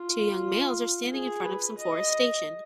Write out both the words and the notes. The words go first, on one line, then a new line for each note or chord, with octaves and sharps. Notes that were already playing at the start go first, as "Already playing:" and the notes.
Two young males are standing in front of some forestation.
Already playing: F4
G#4
B4
D#5